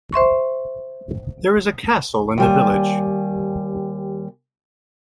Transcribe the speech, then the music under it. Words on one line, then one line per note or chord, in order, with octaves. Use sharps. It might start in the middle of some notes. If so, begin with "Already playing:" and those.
There is a castle in the village.
C5 E5 C6 C#6
D#2 G3 G#5